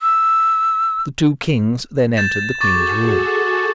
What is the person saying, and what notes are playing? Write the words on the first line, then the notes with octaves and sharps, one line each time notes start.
The two Kings then entered the Queen's room.
E6
G6 A6 E7
F#4 G#4 A4 C#6 D6 A6